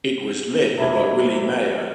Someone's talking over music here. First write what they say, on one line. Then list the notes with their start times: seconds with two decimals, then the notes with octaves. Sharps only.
It was led by Willie Meyer.
0.78 F2 C3 F#3 A3 E5 B5 G#6